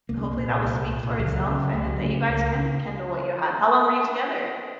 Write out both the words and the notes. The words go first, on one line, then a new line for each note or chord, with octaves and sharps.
hopefully that will speak for itself and that you guys can rekindle what you had. How long were you together?
C2 A#3
C4
A#3
A#2
C2
A#2
C#2 F#3
C#3
C#2 A3
F#3
C#3 A3
C#2
C#3